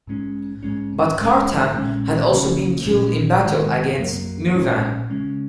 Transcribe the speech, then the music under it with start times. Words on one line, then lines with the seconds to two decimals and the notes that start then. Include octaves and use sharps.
But Kartam had also been killed in battle against Mirvan.
0.07 G#2 G#3 C#4
0.63 G#2 G#3 C#4
1.19 G#2 G#3 C#4
1.74 A#2 G#3 C#4
2.30 C#3 A#3 C#4
2.86 A#2 F#3 C#4
3.42 G#2 D#3 G#3
3.98 F#2 F#3 A#3
4.54 A#2 G#3 C#4
5.10 C#3 G#3 C#4